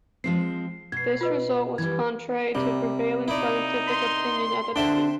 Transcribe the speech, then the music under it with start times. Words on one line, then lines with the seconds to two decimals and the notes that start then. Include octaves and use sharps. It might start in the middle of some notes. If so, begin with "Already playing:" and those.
This result was contrary to prevailing scientific opinion at the time.
0.24 F3 G#3 C4 C7
0.92 B2 G#6 C7
1.21 F4 B4 D#5
1.78 E3 G3 G#6
2.55 C3 G3
3.28 D#4 E4 D5
3.87 C6
4.76 D3 D4 C5 E5 G5